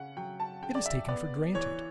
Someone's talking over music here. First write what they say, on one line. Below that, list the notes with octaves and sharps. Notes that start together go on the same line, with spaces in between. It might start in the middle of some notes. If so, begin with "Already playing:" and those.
It is taken for granted.
Already playing: C#3 C#4 F#5
F#3 G5
A5
C#3 G5
D5
E5
B3 D5
E3 C#5